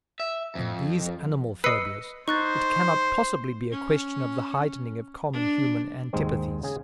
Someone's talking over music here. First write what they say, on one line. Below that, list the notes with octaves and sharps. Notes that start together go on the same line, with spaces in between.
In these animal phobias it cannot possibly be a question of the heightening of common human antipathies.
E5
F2
B4 D#5 E6 C7 C#7
D#4 C5 C#6 F#6 A6
C#4
D4
D#2 G#2 G#3 C4
C#3 G#4